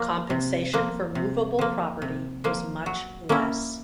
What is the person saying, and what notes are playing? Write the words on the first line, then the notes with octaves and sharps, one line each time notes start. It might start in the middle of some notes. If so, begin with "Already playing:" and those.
Compensation for movable property was much less.
Already playing: F3 A#3
C3
F3 A#3
C3
F3 A#3
C3
F3 A#3
F#3
A#3 C#4 E4